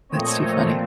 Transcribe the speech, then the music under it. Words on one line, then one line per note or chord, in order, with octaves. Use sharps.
That's too funny.
A#2 F3 A3 C4 C#5 D#5